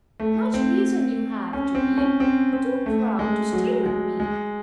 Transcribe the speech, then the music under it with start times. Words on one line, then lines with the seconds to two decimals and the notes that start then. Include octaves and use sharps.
Much reason you have to be too proud to stay with me.
0.20 A3
0.54 C4
1.53 C#4
1.75 C4
1.98 C#4
2.20 C4
2.53 C4
2.86 A3
3.19 G#3
3.53 F#3
3.86 G#3
4.20 G#3